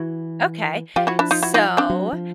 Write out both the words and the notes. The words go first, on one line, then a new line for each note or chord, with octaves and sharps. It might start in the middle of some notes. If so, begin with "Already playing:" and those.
Okay. So,
Already playing: E3 E4 F#4
F3 F4 G4
E4 F#4
D4 E4
D#4 F4
E4 F#4
D#4 F4
C4 D4
F#3
F3